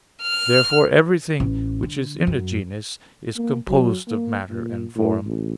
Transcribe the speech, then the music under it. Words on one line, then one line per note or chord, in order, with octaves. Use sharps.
Therefore everything which is in a genus is composed of matter and form.
F6
A1
D3
F#2
A#3
F#3
A#3
A#2
A2
A1